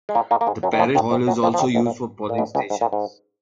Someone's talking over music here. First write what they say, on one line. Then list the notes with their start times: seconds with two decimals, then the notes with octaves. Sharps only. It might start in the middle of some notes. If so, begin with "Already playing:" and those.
The parish hall is also used for polling stations.
0.09 G#3
0.15 A#2 A#3
0.31 A#2 A#3
0.41 A#3
0.47 G#2 G#3
0.63 F#2 F#3
0.73 D#3
0.79 F2 F3
0.95 D#2 D#3
1.11 F2 F3
1.27 F#2 F#3
1.43 F2 F3
1.54 F3
1.59 D#2 D#3
1.75 B1 B2
1.86 A#2
2.29 A#2
2.38 B1 B2
2.55 C#2 C#3
2.70 G#2
2.81 A#2
2.93 G#2